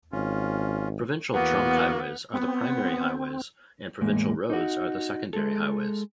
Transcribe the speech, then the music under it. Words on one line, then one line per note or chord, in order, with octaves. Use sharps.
Provincial Trunk Highways are the primary highways, and Provincial Roads are the secondary highways.
G#1 C#4 F4
E2 A#3 B3 F#4
B3 C4
E2 A2 G#3 A#3
D#4 F#4
G#3 A4